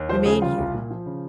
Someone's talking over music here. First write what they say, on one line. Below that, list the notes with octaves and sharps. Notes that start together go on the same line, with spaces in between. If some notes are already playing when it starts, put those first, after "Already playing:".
Remain here.
Already playing: D#2
F3 C5
C#3 G#4
G3 F4
C2
A#2
F3
C#3